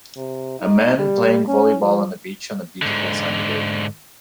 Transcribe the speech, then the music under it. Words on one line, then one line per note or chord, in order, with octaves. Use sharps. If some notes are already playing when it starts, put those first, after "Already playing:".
A man playing volleyball on a beach on a beautiful sunny day.
C3
D#4
G3
C#4
F3
G#2 D3